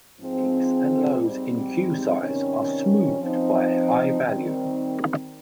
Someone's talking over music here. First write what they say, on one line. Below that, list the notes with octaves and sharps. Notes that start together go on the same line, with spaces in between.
Peaks and lows in queue size are smoothed by a high value.
G#2 F3 G#3 C4
G#2 G3 C4
C3 D#3 G3 C#4
F3 C4 D#4
D#3 G3 C4